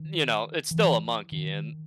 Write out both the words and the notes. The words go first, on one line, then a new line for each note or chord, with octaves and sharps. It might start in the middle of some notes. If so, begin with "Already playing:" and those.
you know, it's still a monkey, and,
Already playing: D#3
E3
D#3